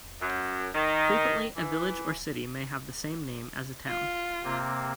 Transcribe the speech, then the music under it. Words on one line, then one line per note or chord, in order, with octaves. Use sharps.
Frequently a village or city may have the same name as a town.
F#2
D#3
E3
F4
C3 A#3 C4